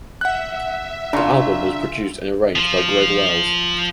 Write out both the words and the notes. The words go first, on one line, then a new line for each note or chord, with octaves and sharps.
The album was produced and arranged by Greg Wells.
E5 F#5 F#6
C#3 D4 F4 A#5
F3 F4